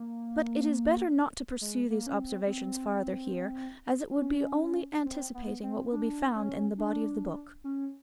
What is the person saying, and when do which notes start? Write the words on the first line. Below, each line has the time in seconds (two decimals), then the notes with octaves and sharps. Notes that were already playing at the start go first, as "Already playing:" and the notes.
But it is better not to pursue these observations farther here, as it would be only anticipating what will be found in the body of the book.
Already playing: A#3
1.61 G#3
1.90 A#3
2.07 C#4
2.19 C4
2.47 C4
4.20 C#4
5.06 C4
5.34 B3
5.63 C4
5.92 D4
6.35 C#4
6.78 D4
7.64 C#4